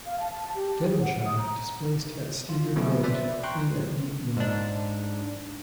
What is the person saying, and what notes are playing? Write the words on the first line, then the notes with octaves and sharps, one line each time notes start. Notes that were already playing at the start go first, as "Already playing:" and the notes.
"Devonshire" displaced at standard load and at deep load.
F5
A5
G4
G4
G#4
F#5
D#6
A#5
F4
B2 D3 F3 F#3 A3 C#4
B4 C5 D5 E5
G5 A#5 C6 C#6 F#6
G#2 D4